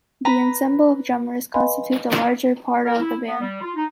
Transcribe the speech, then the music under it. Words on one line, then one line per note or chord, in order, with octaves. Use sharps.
The ensemble of drummers constitute the larger part of the band.
B4 A#5 B5
B4 D#5 F5 G#5 B5 C6
A#4
E4
B3
G3
F4
D#4